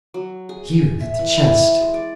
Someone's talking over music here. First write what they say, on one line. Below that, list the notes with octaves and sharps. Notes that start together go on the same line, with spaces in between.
'Here, at the chest.
F#3
G#4
G#5
E5
E3
E4
G#3
D5